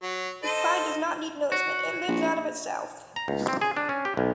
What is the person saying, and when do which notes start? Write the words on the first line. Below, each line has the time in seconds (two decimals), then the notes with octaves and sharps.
His pride does not need nourishment; it lives out of itself.
0.03 F#3
0.43 A4 C5 D#5
1.52 F#4
2.08 A#1
3.16 A#5
3.28 C#2
3.48 C4
3.61 G#4
3.77 D4
3.89 C#4
4.05 G4
4.17 B1